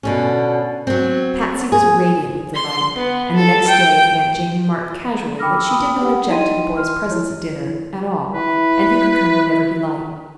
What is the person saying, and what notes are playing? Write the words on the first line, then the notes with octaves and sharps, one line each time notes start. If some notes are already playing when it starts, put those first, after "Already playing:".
Patsy was radiant with delight, and the next day Aunt Jane remarked casually that she did not object to the boy's presence at dinner, at all, and he could come whenever he liked.
B2 D3 C#4
F#3 C4
G#4
C6
B3
A4
G5
G5 B5 D6 E6 F6 A#6
G5 B5 D#6
G4 B4 F#5
D#4 E4 D#5 G5 C6 D#7
C6 F6
E4 C#5
E4 B4